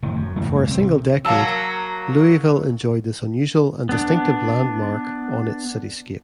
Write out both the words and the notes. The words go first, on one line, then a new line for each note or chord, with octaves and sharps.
For a single decade Louisville enjoyed this unusual and distinctive landmark on its cityscape.
F#1 A2 C3 D#3
F#2
F#2 A2 C#3 E3
G#2 A#3
C2 C4
C3
F#3 A#3 F5 A5 E6
B3 D4